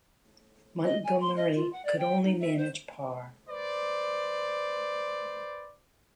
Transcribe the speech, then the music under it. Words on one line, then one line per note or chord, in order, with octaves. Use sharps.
Montgomerie could only manage par.
D#5
G#5
C6
D#5
F4
F#5
D5
G5
D#4
E5
C5
B4 C5 D5